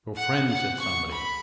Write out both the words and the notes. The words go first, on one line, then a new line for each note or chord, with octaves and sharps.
"Your friend," said somebody.
F#5
F#5
C#6
B5